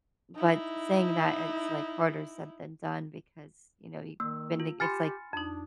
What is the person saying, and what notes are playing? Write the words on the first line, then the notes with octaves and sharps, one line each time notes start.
but saying that, it's, like, harder said than done because, you know, you've been to it's like
D#4 E4
D#3 A#3 E6
F4
G4 G#5 B5 C6 F6 A6 C#7
F2 D4 D#4